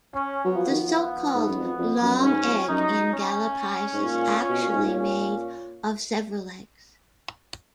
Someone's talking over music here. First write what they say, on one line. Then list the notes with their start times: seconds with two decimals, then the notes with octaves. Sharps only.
The so-called "long egg" in gala pies is actually made of several eggs.
0.15 C#4
0.44 F#3 B3
0.56 F3
0.68 D#3
0.80 F3
1.34 G#2
1.48 F#2
1.56 F2
1.79 F2
2.01 F#2
2.18 F#2
2.24 G#2 C#4
2.46 F2
2.69 F#2 D#4
3.13 C#4
3.93 G#2
4.04 A#2
4.49 B2
4.61 A#2
4.74 G#2
4.87 A#2
4.94 C#4